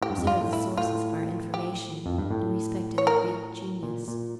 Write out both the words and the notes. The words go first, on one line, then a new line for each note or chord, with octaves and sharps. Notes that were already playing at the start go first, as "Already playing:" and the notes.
Observe the sources of our information in respect to the Greek genius.
A2 G4
G2
F2
G2 F4
A2
E4
A2 F4
G4
F2
G2
A2
C#5
A#4
A#2
A#2